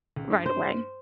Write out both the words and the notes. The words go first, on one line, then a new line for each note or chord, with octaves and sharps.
right away.
C#2
G2
C5